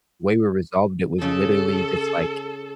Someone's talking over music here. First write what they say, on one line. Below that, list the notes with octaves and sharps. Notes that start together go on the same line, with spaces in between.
the way we resolved it was literally just, like,
C#3 A4